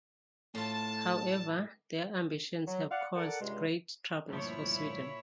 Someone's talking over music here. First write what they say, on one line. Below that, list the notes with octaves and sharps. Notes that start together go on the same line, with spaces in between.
However, their ambitions had caused great troubles for Sweden.
A2 A3 F4 A5
F#3
D5 F5 F#5
A4 A#4 D5 F#5
C#2 G2 C3 G#3
D2 G2 A#2 F3 E4 C#5